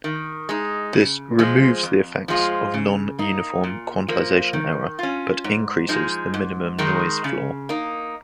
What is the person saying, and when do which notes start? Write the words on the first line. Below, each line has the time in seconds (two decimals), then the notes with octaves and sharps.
This removes the effects of non-uniform quantization error, but increases the minimum noise floor.
0.04 D#3
0.49 G#3 D#4
0.93 C#3
1.39 F3 G#3
1.83 F2
2.28 F3 G#3 F4
2.74 C#3
3.19 A#3 D#4
3.64 A#2
4.08 F3 A#3
4.53 D#3
4.99 C#4 F4
5.44 G#2
5.89 F3 G#3 D#4
6.34 G#2
6.79 D#3 G#3 D#4
7.24 C#3
7.69 A#3 D#4